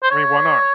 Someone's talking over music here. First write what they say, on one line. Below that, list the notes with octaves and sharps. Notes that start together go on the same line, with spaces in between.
I mean, why not?
C5
C#5